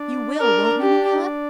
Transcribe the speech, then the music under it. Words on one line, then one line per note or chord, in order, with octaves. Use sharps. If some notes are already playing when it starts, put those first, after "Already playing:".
You will, won't you, Marilla?
Already playing: D4 D5
D4 A#4 D5
G4